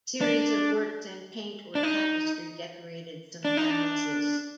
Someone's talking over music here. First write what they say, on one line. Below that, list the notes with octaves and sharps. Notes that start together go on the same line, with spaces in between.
Series of works in paint or tapestry decorated some palaces.
D4
D4
D#4
D4
D#4
D4